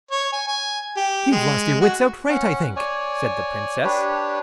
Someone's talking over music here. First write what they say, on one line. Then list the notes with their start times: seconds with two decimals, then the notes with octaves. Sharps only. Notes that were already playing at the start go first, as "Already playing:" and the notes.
'You've lost your wits outright, I think', said the Princess.
0.11 C#5
0.32 G#5
0.48 G#5
0.96 G4
1.32 G#3
1.81 F#4
2.29 C#4 F#5
2.76 C#5 D5 G#5
3.84 D4 G4 B4 C#5